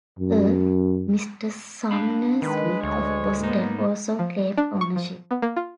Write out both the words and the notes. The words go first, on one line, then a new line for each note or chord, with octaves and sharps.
A Mr. Sumner Smith of Boston also claimed ownership.
F#2
D4 F5 B5
D#3 G#3 B4
D2 C#5
G#2 A#3 B3 D#4
F3
D4
C#6
F3
B3
A#3
F4